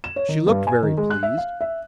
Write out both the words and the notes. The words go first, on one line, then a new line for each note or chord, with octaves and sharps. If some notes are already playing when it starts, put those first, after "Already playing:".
She looked very pleased.
E7
C#5
D#3
G2
G#5
D#3
G#3
F#6
E5
F5
E5